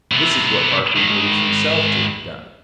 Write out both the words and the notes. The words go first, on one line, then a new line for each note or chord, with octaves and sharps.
This is what Berkeley believes himself to have done.
C3 B3
G#2 D#3